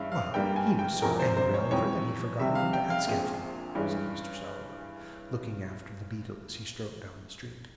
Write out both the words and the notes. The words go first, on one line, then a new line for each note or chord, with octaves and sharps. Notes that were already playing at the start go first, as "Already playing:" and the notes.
'Why, he was so angry, Oliver, that he forgot even to ask after you!' said Mr. Sowerberry, looking after the beadle as he strode down the street.
Already playing: G2 E3 G#3 C#4 E5 F5
F5
G2 G3 A#3 G5
G#5
G5
E1 E2 C3 F3 A#4
C5
C5
C#5
F2 E3 G3 C4 C#5
C2 C3 G3 C4 E5
F5
G5
F5
A#1 A#2 G#3 C4
G2 E3 G#3 C#4